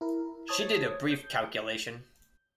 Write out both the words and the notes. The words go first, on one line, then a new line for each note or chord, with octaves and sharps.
She did a brief calculation.
E4 A#4
C5 C#5 A5 D#6 G#6
G6